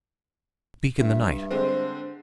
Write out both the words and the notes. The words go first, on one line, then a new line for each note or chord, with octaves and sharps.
Speak in the night.
G2 E5
D3 G#3 C4 C5